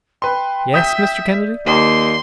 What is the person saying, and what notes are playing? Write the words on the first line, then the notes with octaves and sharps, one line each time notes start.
"Yes, Mr. Kennedy?"
B4 G5 C6
E5 D#6 G6 B6
D5
D#2 C6